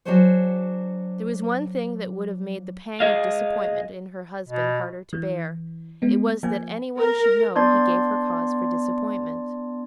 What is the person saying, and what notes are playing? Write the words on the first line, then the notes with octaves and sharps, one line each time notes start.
There was one thing that would have made the pang of disappointment in her husband harder to bear; it was, that any one should know he gave her cause for disappointment.
F#3 D4 F#4 G#4 C5 C#5
G#4 D#5 F5
B2
E3
G#3 B3
F3 A#3 G#5
A#4
B3 D4 D5 C6 G#6 A6